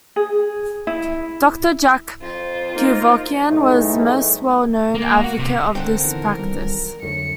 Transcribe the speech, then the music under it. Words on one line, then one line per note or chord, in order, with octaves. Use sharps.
Doctor Jack Kevorkian was the most well-known advocate of this practice.
G#4
E4
F2 F4 C5
A#3 D#4 A#4
B1 A2 G#3 A3 D#4
A#3
F#4
C3
D3 C4 A4 A#4 F#5
E2 D#3
G3
F2 D3 F#3 A3 C#7